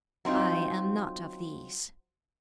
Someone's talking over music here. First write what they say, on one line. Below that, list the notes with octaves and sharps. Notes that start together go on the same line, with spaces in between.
I am not of these.
F#3 C4 D#4 F4